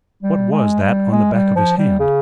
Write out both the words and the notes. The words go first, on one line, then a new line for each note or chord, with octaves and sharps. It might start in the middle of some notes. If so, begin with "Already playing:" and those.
What was that on the back of his hand?
G3
G#3
G3
G#3
G3
F3
G3
C#3